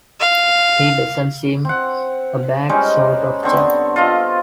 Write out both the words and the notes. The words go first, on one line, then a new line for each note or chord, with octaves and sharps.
He doesn't seem a bad sort of chap.
F5
C4 F#5
G3 G#3 C#4 D#4
D3 B3 C4 C#6
F4 A4 D#5 F5